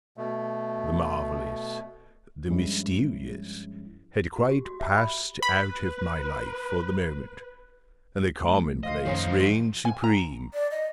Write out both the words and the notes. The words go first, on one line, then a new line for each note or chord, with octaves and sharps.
The Marvellous--the Mysterious--had quite passed out of my life for the moment: and the Common-place reigned supreme.
B2 A3
G2 F3 G3 G#3 C#4 E4
F#4
G4
F#4
E5
B5
B4 B5
A#1 E3 A3
C5 D#5 F5
F#2 D#3 F3 C#4 D#4
G#5
A#5
D5
D#5